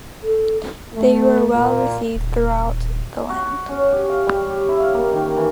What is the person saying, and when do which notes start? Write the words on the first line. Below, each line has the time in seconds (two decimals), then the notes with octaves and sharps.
They were well received throughout the land.
0.23 A4
0.94 A3
1.55 A#2
2.15 D#1
3.29 F#4
3.69 C#4
3.92 G4
4.10 F5
4.26 G3
4.50 G4
4.69 E4
4.80 F5
4.94 A#3
5.12 D#3
5.36 E3